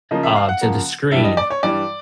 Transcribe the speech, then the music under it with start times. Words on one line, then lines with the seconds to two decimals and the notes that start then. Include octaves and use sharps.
uh, to the screen,
0.11 C#3 F3 A#3 D#5
0.23 E5
0.36 F5
0.49 F#5
0.61 C#3 F3 A#3
1.11 G2 E3 G3 E5
1.25 D#5
1.37 D5
1.50 C#5
1.63 G2 E3 G3 D5